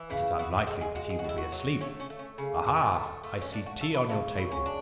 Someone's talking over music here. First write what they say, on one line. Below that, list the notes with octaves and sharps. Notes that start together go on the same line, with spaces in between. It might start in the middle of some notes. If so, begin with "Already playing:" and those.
It is unlikely that he will be asleep.' Ah, ha! I see tea on your table!
Already playing: E3
C#3 E4
E3 F#4
G#3 A4
G#4
G#3 F#4
G#4
F#4
A2 E4
F#4
F#3
A3 C#4
C#4
A3
C#4
C#3
E3
A3
A3
C#4
A3 D4
F#4
A3 A4
B4
C#3 A4
F#3 E4
C#4
D4